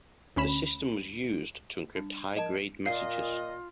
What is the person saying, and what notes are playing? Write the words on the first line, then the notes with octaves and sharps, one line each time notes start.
The system was used to encrypt high-grade messages.
D2 C#4 B5 E7
G3 D4 A5
F3 A#4 D#5 A5
A#2 F4 D#5 F5